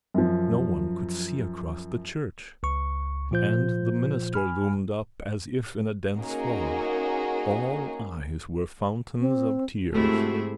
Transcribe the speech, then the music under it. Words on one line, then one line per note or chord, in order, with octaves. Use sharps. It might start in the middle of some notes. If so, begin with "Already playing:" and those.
No one could see across the church, and the minister loomed up, as if in a dense fog; all eyes were fountains of tears.
F#2 F3
C#2 C#6
A#2 F3 F4 C5 G6
G#5 B5 F6
A#3 C#4 D#4 F#4 G#4 A#4
C4
G#2 C3 A3 E4 F#4 G#4